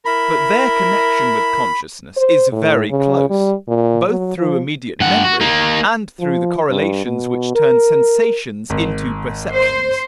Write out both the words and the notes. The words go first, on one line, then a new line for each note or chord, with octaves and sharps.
But their connection with consciousness is very close, both through immediate memory, and through the correlations which turn sensations into perceptions.
E4 A#4 B5
C5
A2
C#3
G3
A#2
F#3
F3
G2 F#5
F#4
A#3 D#4
F3
G2
B2
A#4
G#1
C5